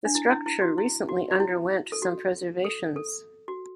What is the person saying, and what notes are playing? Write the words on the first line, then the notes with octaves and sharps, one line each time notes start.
The structure recently underwent some preservations.
D4
E4
E4
E4
F#4
E4
F#4
F#4
E4
A4
F#4
A4
A4
F#4